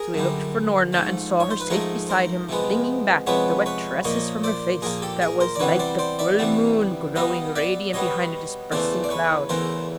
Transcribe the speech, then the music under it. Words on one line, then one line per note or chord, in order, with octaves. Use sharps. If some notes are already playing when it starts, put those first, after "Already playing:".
So he looked for Noorna, and saw her safe beside him flinging back the wet tresses from her face, that was like the full moon growing radiant behind a dispersing cloud.
Already playing: G#4 A#4
F#2 D3 G3
G#2 F3 A3
C#5
C5
B4
G#2 F3 A3 G#4 A#4
A#4 C5
C3 F3 G#3 B3
C3 F3 G#3 B3 B4 C#5
B4 C#5
A#2 F3 A#3 C#5 D#5
C5 D5
A#2 F3 A#3 G#4 A#4
G4 A4
G#4 A#4
A#4 C5
D5
C3 E3 G3 B3 B4 C#5
C5 D5
C5 D5
D5 E5
C3 E3 G3 B3
B2 G3 B3 D#5 F5
D5 E5
B2 G3 B3 C#5 D#5
E2 C#3 E3 A3 C5 D5
D5
B4 C#5
E2 C#3 E3 A3 A#4 C5